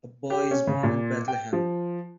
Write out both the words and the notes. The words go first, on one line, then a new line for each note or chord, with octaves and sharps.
A boy is born in Bethlehem.
G4
C#4
C#3
A#2
G5
F3